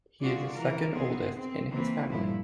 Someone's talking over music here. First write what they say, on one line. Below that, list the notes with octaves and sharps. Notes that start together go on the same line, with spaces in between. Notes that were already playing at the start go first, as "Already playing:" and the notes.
He is the second oldest in his family.
D3 F4 F#4 G#4 D5
E3 A#4
B3 C4 G#4
C4
E3 A#3 C4
G2 A#2 F3 A3 E4